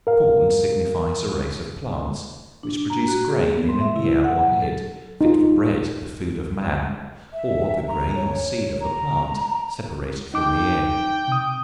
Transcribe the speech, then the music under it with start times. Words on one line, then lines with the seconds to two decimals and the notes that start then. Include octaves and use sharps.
Corn signifies a race of plants which produce grain in an ear or head, fit for bread, the food of man; or the grain or seed of the plant, separated from the ear.
0.07 A#4 F5
2.63 D4
2.90 A#5
3.08 F#4
3.28 G#4
3.56 B3
3.69 C6
3.80 E5
3.96 E4
4.24 F#5
4.47 F#3
4.62 A4
5.21 D#4 F4
7.33 E5
7.88 A#5
8.16 C#5
8.80 A#5
10.34 D#4 G5 D6
11.28 C3 D#6